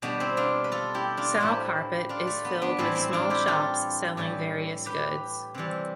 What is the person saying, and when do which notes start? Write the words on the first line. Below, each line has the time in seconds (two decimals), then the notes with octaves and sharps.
Sowcarpet is filled with small shops selling various goods.
0.02 B2 G3 B3 D4
0.20 C4 E4
0.37 D4 F4
0.64 B4
0.72 F4 A4
0.94 E4 G4
1.17 D4 F4
1.35 F4
1.40 A2 F3 E4 G4
2.09 D4 F4
2.27 A3
2.45 B3
2.61 B3 D4
2.78 A2 E3 G3 C4 E4
2.96 C4 E4
3.13 D4 F4
3.30 E4 G4
3.47 F4 A4
4.17 A2 E3 G3
4.86 G4 B4
5.54 C3 E3 G3